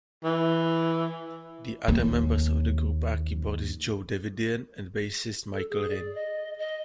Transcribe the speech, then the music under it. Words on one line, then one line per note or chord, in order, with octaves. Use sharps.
The other members of the group are keyboardist Joe Davidian and bassist Michael Rinne.
E3
D#2 A#3
A4
G#4
D5
D#5
D#5